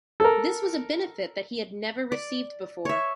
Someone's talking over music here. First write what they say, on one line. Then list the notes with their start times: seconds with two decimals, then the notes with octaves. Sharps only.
This was a benefit that he had never received before.
0.20 A4 A#4
2.12 D5
2.85 C#5 E5